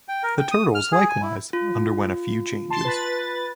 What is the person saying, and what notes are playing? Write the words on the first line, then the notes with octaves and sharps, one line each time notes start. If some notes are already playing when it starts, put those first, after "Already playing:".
The Turtles, likewise, underwent a few changes.
G5
A#4
G5
D#6
F6
G#4
G#5
E4
F4
A5 C6
B4 A6